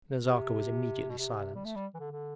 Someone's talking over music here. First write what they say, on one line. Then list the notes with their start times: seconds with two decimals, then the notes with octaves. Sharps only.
Nazarka was immediately silenced.
0.24 C3
1.10 B2
1.18 C3
1.55 G3
1.65 A3
1.76 G3
1.94 E3
2.00 D3
2.12 D3